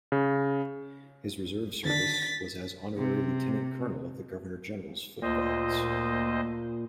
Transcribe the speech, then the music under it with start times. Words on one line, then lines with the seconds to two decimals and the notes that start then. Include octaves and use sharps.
His reserve service was as Honorary Lieutenant-Colonel of the Governor-General's Foot Guards.
0.12 C#3
1.85 D3 D#3 D4 A6 B6
2.97 C3
5.22 D2 A#2 C5 D#5